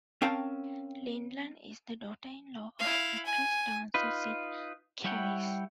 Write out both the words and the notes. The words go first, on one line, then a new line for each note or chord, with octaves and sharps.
Lindeland is the daughter-in-law of actress-dancer Cyd Charisse.
C4 C#4 A#4 F5 G5 A5
E4 F5
G#5
D#4 F4 B4
G3 E4 C#5 F#5 G5